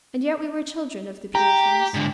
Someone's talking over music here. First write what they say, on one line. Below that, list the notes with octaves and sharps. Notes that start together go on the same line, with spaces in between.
And yet we were children of the Puritans.
G4 A#5
G#2 D3